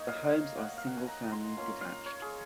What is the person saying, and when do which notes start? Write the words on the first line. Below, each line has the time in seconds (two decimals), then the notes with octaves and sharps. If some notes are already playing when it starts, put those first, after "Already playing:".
The homes are single-family detached.
Already playing: A#3 D#4 C#5 D#5
0.08 F5
0.57 F#5
0.78 F5
0.87 F#5
0.97 G#5
1.07 A#5
1.32 C6
1.56 A#3 C#4 F4
1.81 F5
2.06 C#5
2.22 G#4